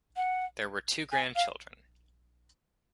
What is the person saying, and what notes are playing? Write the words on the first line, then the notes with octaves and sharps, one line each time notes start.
There were two grandchildren.
F#5
G#5
F5